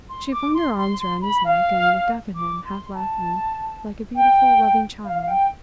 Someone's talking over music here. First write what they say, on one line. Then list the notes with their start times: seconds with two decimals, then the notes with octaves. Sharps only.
She flung her arms round his neck and looked up at him, half laughing, like a beautiful, loving child.
0.09 C6
0.32 D6
0.54 C6
0.78 C6
0.99 C6
1.22 B5
1.45 F5
2.35 D6
2.64 C6
2.95 A5
4.15 G5
5.05 F5
5.19 F5
5.28 G5